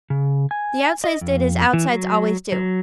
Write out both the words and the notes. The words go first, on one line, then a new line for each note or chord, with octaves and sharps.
The outsides did as outsides always do.
C#3
G#5
D#5
F2
E3
F#3
F#3